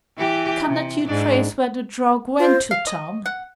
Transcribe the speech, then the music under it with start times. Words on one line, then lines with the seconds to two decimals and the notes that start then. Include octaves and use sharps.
"Cannot you trace where the drug went to, Tom?"
0.17 E3 G4
0.65 C3
1.06 G#2 D4
2.39 F4 C5
2.71 F5
2.87 D#5
3.26 F#5